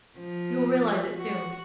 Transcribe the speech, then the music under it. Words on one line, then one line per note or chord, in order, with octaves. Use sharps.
You will realize it soon.
F3
F#4